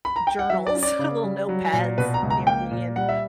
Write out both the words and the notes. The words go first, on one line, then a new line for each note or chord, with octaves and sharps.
journals, little notepads near me and
B5
A#5
G5
F#5
F#3 E5
D5
C#4
D5
C#3
G3
F#3
A#2
B2 B4
A#5
C#2
A#5
A#3 G5
A#2
G3 F#5
E5